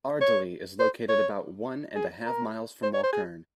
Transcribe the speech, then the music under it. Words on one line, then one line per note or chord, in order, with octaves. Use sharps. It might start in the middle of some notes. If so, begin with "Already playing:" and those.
Ardeley is located about one and a half miles from Walkern.
C#5
C5
C#5
G#4
A#4
C5
C#5
C5
G#4